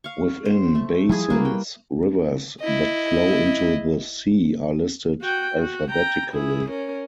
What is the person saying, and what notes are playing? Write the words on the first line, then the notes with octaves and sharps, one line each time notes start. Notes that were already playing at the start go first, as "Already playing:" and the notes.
Within basins, rivers that flow into the sea are listed alphabetically.
F5 C#6
C5
A3
F3 G3 E4 G#4
G3 A#3 F#4 B4
G5
E4 D#5
F#4 G5
F#4
G5 A#5
E4 G#4
C#4 A#4